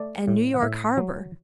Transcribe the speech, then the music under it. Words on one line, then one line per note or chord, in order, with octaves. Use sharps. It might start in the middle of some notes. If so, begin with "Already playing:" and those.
And New York harbour!
Already playing: A3 D5
A2
F#5
A2 E5
F#3